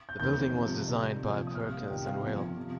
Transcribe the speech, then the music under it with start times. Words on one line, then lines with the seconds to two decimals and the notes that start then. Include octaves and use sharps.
The building was designed by Perkins and Will.
0.09 G6
0.20 F1 D#2 D#3 G6
0.54 C2 C3 F3
0.87 F2 C3 D#3 G3
1.21 C2 A#2 F3
1.47 D#6
1.55 C2 A#2 G3 F6
1.72 F5
1.89 F1 F2 C3 D#3 G3 G5
2.06 F5
2.23 G1 F2 F3
2.57 C3 F3